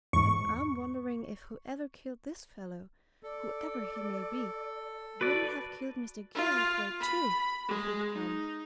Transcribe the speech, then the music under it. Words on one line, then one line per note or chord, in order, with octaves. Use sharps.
And I'm wondering if whoever killed this fellow, whoever he may be, wouldn't have killed Mr. Gilverthwaite, too, if he'd come?
E2 G#2 C#6
A4 D5
F#4 B4 D5 A5
F4
B5
G#3
D#4